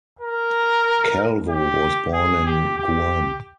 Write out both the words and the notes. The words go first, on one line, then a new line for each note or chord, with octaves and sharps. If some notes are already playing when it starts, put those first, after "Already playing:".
Calvo was born in Guam.
A#4
G4
G#4
G4
G4